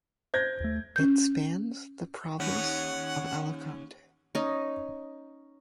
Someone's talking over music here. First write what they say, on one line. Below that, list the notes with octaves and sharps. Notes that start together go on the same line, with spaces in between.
It spans the province of Alicante.
C5 G6 G#6 A#6
D#2 A3
C#4 G6
D#2 C#4 F#5
C#4 D#4